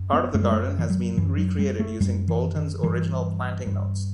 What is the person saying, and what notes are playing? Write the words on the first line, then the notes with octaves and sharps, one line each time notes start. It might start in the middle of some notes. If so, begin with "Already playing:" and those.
Part of the garden has been recreated using Boulton's original planting notes.
Already playing: F#2
B3
F#2 A3
G3
A3
E3
F#3
F#2 E3
F#3
G3
A3
F#2 G3
E3
D#3
G2 E3
G2